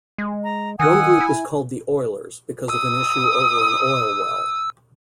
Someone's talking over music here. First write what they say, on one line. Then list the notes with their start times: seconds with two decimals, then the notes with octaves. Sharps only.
One group is called the 'oilers', because of an issue over an oil well.
0.18 G#3
0.44 A#5
0.80 D#3 F#5 G#5 D#6 E6
1.20 E4
2.69 D#6 E6